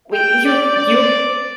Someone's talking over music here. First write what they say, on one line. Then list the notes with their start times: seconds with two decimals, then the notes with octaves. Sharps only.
wait, "You're you're
0.14 G5
0.45 D5
0.75 D5